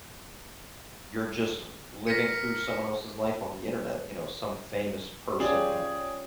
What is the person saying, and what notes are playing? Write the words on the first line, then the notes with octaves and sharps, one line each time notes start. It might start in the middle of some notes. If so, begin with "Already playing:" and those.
you're just living through someone else's life on the Internet, you know, some famous person that
A#4 A#6 B6 C#7
C#4 F4 G4 G#4 D5